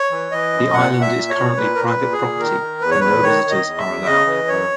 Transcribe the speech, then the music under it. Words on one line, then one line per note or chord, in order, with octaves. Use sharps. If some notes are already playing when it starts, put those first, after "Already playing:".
The island is currently private property and no visitors are allowed.
Already playing: C#5
E3
E3 D#5
F#2
A#2 F#5
A#2
E5
A#2
C#5
A#2
A#2 B4
A#2 A#4
B4
A#2
G#4
A#2
D#3 A#4
D#3
E2 B4
C#5
E2 B4
D#3 C#5
D#3
D#5
E2
E5
E2
C#3 D#5
E3
F#2 C#5